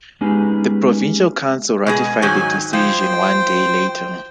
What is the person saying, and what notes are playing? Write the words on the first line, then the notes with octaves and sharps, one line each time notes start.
The Provincial Council ratified the decision one day later.
G#3 B3 C#4 D#4 G4 G#4
B2 G#3 G#4
G#2 D#3 F#3 G#5
F3 C5 G5